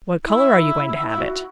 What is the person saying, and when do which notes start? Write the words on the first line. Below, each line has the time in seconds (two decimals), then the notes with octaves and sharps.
"What color are you going to have it?"
0.25 E4
1.09 E4
1.17 F#4